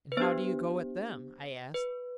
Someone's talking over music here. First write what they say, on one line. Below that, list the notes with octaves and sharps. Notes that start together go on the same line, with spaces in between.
"And how do you go at them?" I asked.
B4
B3 D4 G4 C5
B4